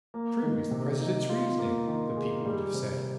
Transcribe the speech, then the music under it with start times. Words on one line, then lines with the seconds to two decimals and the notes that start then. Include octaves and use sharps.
"How true is the president's reasoning," the people would have said.
0.14 A#3
0.43 D#3
0.71 C3
1.01 D#4
1.30 F4
1.58 A#3
1.88 D#3
2.17 G#4
2.45 G3
2.74 C3